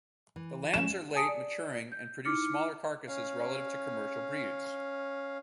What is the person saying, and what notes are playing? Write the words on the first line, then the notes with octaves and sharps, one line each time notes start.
The lambs are late maturing and produce smaller carcasses relative to commercial breeds.
E3
F3 G#3 C#4 E7
G#5 A5 D#6 C#7 D7
D5
G6
D#4 E4 D6 F6 C#7
C#4 F5